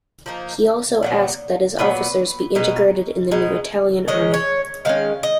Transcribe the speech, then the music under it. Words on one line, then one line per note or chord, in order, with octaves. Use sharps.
He also asked that his officers be integrated in the new Italian Army.
F3 A#3 D#4
A#2 F#3 B3
A#2 F#3 B3 B4
B2 G#3 D#4
B2 G#3 D#4
D#3 G#3 C#4 D#5
C#5
D#3 G#3 C#4 F5
D#5